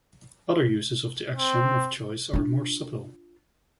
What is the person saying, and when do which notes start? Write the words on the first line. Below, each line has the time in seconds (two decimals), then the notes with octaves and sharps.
Other uses of the axiom of choice are more subtle.
1.36 C4
2.34 D4 F4